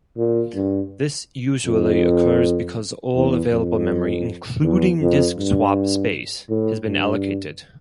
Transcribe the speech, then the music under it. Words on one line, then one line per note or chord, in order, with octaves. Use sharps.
This usually occurs because all available memory, including disk swap space, has been allocated.
A#2
G2
F2
E2
F2
E2
F2
G2
A2
G2